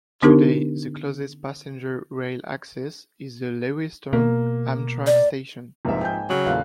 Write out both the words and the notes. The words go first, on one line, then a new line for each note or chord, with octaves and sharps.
Today, the closest passenger rail access is the Lewistown Amtrak station.
D3 B3 D4 D#4 G4 A#4
B2 A#3
D5
F1 C2 G#2 F3 A#3 E5
G5 G#5 G6
C#3 F#3
E2 A#2 A3 F5 F#6